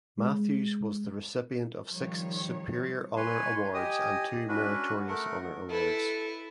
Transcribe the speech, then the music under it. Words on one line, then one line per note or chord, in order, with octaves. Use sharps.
Matthews was the recipient of six Superior Honor Awards and two Meritorious Honor Awards.
G#3
D#3 F3 G3 C#5
B4 C#5 G#5 C6
G4 D#5 G#5 D#6
C#4 D4 F#4 B4
A3 A#4 F#5
E4 A4 B4